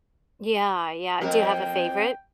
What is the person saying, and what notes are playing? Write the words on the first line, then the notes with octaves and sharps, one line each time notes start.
Yeah, yeah, do you have a favorite?
F2 A#3 A#4 G5